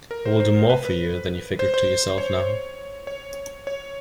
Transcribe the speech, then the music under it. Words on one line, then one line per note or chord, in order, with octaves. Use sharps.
I will do more for you than you figure to yourself now.
A#4
C5
C5
B4
B4
C5
C5
C#5
C#5
C#5